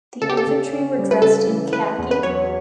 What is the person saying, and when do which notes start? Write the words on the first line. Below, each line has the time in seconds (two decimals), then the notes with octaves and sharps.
The infantry were dressed in khaki.
0.22 C#3 A4
0.30 G4
0.37 A4
0.47 C#3
0.72 C#4
0.97 G3
1.11 B4
1.22 C#3 A4
1.47 E3
1.73 E3 B4
1.98 E2
2.11 B4
2.23 F#3 C#5